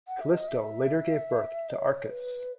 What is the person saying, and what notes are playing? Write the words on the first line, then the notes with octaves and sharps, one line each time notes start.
Callisto later gave birth to Arcas.
F#5
E5
D#5
E5
D#5
C#5
B4